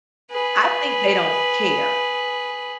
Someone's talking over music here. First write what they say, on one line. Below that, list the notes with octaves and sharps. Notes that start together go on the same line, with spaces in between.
I think they don't care.
G#4 B4